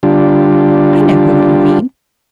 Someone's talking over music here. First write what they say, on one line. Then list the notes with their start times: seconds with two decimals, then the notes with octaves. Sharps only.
I know whom you mean.
0.03 D3 G3 D4 F4 G4